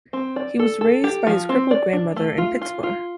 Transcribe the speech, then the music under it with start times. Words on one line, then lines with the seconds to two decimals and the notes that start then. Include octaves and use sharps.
He was raised by his crippled grandmother in Pitsmoor.
0.13 C4
0.36 D5
0.59 A4
0.81 A4
1.04 G4
1.27 F3
1.49 C4
1.71 D5
1.93 D4
2.16 A3
2.38 F4
2.61 F4
2.83 F4